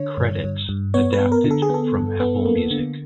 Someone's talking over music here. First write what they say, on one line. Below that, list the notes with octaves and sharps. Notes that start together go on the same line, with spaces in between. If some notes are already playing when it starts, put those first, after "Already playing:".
Credits adapted from Apple Music.
Already playing: D3 C#5
G2
G2
G2
B3 C#5
B4
B3
A#4
D3
A4
G#4
B3 A4
G2
B3
A#3
D3